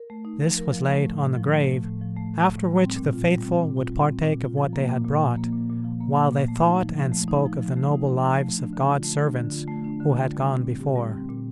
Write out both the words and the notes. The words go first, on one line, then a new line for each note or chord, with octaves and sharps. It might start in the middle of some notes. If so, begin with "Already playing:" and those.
This was laid on the grave, after which the faithful would partake of what they had brought, while they thought and spoke of the noble lives of God's servants who had gone before.
Already playing: A#4
A3
D#4
F3
A#4
F3
A3
A2
A2
F3
A3
A2
A2
F3
A3
A2
A2
G3
C4
A#2
F4
G3
C4
A#2
F4
G3
C4
A#2
F4
F3
A#3
A#2
A#2
F3
A#3
A#2
A#2
F3
A#3
A#2
A#2
A3
D#4
F3
F3
A3
D#4
F3
F3
A3
D#4
F3
F3
A3
D4
D3
F4
A3
D4
D3
F4
A3
D4
D3
F4
G3
C4
A#2
G4
G3
C4
A#2